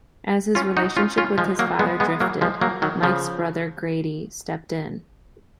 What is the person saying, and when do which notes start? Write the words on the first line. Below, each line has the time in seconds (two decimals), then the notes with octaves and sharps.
As his relationship with his father drifted, Mike's brother Grady stepped in.
0.55 C#4 F4
0.77 D#4 F#4
0.97 C#4 F4
1.18 C#4 F4
1.38 F3 G#3
1.59 F#3 A#3
1.79 G#3 B3
2.00 G#3 B3
2.20 F#3 A#3
2.41 F3 G#3
2.61 F#3 A#3
2.82 D#3 F#3
3.03 C#3 F3